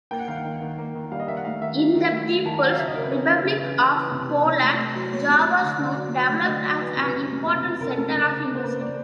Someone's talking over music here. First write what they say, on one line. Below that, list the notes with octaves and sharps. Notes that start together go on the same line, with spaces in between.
In the People's Republic of Poland Jaworzno developed as an important center of industry.
A#3 G5
F#5
D#3 F5
F#5
D#3
D#3
A#3
D#3
G3 F5
D#5
D#3 E5
F#5
A3 F5
D#3 E5
F#3
D#3
A3
F#3
D#3 A5
A#5
F#3 F#5
F5
C#3 E5
D#5
C#3 A#4
B4
E3 C#5
C#3
C#3
E3
C#3 B4
E3
C3
C3
C3 C#5
A3
A3
F#3
A3 C#5
C3
A3
D3
D3 D5
F#3
F#3
A3
D3 D#5
F#3
E3
C3
B4
C3
A3
C3
C3
C3 A#4
A4
A3 A#4
C#3
C#3
C#3
C5
A#3 B4
A#3 D5